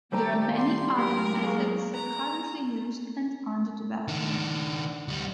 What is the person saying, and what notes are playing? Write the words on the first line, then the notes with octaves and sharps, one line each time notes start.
There are many other methods currently used and under development.
D#2 G3 A3 G4 C5 A#5
G3 G4 C6
F#2 A#3 G4 A#4
G#3 F5 C#6
B3 A#5
D#3 D4
D2 G3